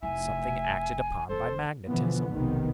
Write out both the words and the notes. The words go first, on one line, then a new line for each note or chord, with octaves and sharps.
Something acted upon by magnetism.
F1 E4 E5 G#5
E1 E2 A4 C5
B2 D3 E3 F3 B3
F1 B1 G#2 C3 D#3 B3